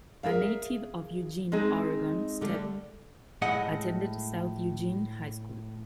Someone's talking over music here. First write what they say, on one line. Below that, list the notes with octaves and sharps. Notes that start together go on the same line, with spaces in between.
A native of Eugene, Oregon, Stepp attended South Eugene High School.
G#4 A#4 E5 F5
G#3 C4 D#4 G#4
D3 G3 A3
A2 G#3 D#5 F#5